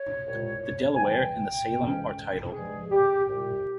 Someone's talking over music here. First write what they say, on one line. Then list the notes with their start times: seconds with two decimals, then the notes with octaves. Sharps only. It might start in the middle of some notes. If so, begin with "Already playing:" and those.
The Delaware and the Salem are tidal.
Already playing: C#5
0.25 C2 A#2 G#3
0.96 G#5
1.00 E2 E3 G3 G5
1.76 F2 C#3 E3 G#3 C#4
2.51 G2 F3 G#3 G#4
2.90 G4
3.28 C2 A#2 G3 G4